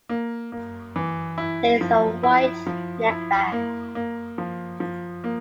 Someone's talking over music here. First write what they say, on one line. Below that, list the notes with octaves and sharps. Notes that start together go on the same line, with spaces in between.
There is a white neckband.
A#3
A#3
E3
E4
F3
E4
F3
E4
A#3
A#3
F3
F3
A#3